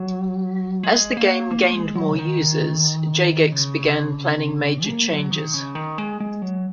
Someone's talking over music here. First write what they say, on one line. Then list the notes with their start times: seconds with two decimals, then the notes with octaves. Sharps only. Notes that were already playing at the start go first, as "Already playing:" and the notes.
As the game gained more users, Jagex began planning major changes.
Already playing: F#3
0.83 G#3
1.17 A#3
1.51 A#3
1.63 A#3
1.73 G#3
1.96 F#3
2.10 C#3
2.19 D#3
3.52 C#3
4.86 A#3
5.08 F#3
5.31 D#3
5.54 C#3
5.75 D#3
5.98 G#3
6.20 G#3
6.42 F#3